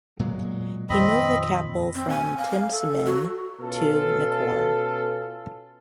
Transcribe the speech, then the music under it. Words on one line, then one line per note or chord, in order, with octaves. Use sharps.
He moved the capital from Temsaman to Nekor.
A#2 F#3 G#3
F2 A#2 D#3 C4 D#5 B5
C4
G#5
F5
A4
F#4
B2 C#4 F4 A4